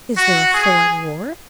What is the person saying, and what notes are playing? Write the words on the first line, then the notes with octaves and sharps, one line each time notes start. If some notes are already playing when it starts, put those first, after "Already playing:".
Is there a foreign war?
F#4
G#4